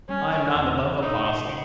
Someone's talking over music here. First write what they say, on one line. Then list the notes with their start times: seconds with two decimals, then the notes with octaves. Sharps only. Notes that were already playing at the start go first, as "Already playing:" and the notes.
'I am not above a parcel.'
0.08 G3 C#4
0.32 D#3
0.55 E2
1.02 A#2 D#4
1.25 B2
1.49 C#3